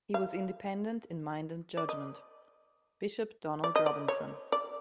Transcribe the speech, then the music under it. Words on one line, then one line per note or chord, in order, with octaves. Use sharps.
He was independent in mind and judgement. - Bishop Donald Robinson.
F5
D5
D#5
D5
D#5
D5
C#5
D5